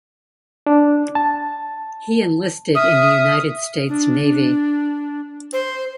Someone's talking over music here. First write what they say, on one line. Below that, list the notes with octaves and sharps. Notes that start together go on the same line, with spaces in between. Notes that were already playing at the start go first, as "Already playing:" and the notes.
He enlisted in the United States Navy.
D4
A5
E5 D#6 F6
D4
C5